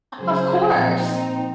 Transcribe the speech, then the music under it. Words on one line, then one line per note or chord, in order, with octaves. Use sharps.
Of course.
C#3 F#3 G#4 C5
A#2 F3 C4 D#4